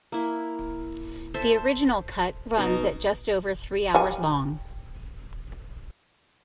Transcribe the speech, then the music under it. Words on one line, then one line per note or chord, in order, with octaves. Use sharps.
The original cut runs at just over three hours long.
A#3 E4
A4 C5 E5
B2 D#4 A#5
G3 G#5